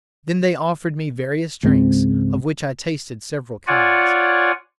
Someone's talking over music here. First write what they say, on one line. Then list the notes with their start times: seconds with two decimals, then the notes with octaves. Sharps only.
Then they offered me various drinks, of which I tasted several kinds.
1.63 C#2 G#2 G#3 C4
3.67 F4 C#5 D5 F#5 G#5